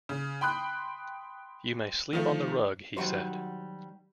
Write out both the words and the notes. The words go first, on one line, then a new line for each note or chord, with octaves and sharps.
"You may sleep on the rug," he said.
C#3
G5 B5 C6 D#6 F#6
D#3 F3 A3
D#3 F#3 G3 F#4 C5